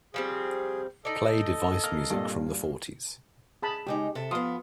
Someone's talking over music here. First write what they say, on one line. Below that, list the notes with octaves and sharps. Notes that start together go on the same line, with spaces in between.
Play Device music from the fourties.
F3 G3 C4 G#4
D#4 A4 D5 D#5
A#3 F6
G2 A#2
G#4 A5 B5
C#3 G#3 D#4 G4
C3 A4 E5
F3 B3 F5 C6 D#6